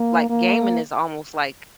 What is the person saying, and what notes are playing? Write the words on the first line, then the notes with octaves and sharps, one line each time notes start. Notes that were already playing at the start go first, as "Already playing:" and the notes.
like, gaming is almost, like,
Already playing: A#3
A#3